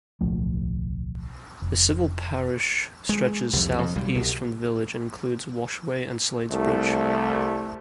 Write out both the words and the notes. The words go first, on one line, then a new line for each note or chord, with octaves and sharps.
The civil parish stretches southeast from the village and includes Washaway and Sladesbridge.
D1 B1 F3 A3
F1
G#3
C2 F2
F2
B1 G3
C2 B2
C2 A3